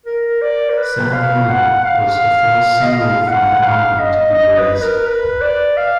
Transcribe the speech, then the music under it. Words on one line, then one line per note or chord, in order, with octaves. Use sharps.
"Sat in Your Lap" was the first single from the album to be released.
A#4
D5
A#4
B4
F5
F#5
F#5
F5
D#5
F5
F5
F#5
F5
D#5
D#5
B4
A#4
B4
D5
F5